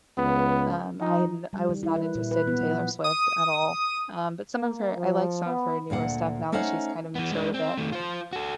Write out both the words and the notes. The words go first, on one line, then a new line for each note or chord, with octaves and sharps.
um, I had n I was not interested in Taylor Swift at all, um, but some of her I like some of her newer stuff now that she's kind of matured a bit.
C#2 B3
F3 D#4
G3
D#3
E4
B4
A#2
B4
B3
F3
D#6
A#3
F3
B3
D2 A#2 F5 F#5
A3 C#4 D#4 C5 F5 F#5
E3 B3
G#3 D4
C4
D#3 A3
F4 C5
F#4 A4